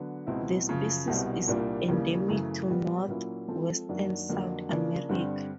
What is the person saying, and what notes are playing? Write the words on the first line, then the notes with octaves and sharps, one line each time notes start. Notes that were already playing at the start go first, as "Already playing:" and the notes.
The species is endemic to northwestern South America.
Already playing: D3 F#3 B3
C#2 B2 G#3 C4 E4
F#2 C#3 F3
C2 B2 G3 C4
C2 A#2 G3 A#3 D4
D#2 C#3 E3 G3 A#3
F#2 C#3 E3 A3
A#2 G3 B3
A#2 F#3 A#3 C#4 E4
F3 G#3 C4 F4 A4
F#2 D#3 F#3 A#3 D4
F2 D3 F#3 A#3
C#3 F3 A#3 D4
G2 D3 G3 C4